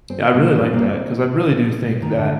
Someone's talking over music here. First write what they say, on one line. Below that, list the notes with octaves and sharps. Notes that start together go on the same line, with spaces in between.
Yeah, I really like that 'cause I really do think that
C4
A#3
C4
A#3
C4
D#3
D3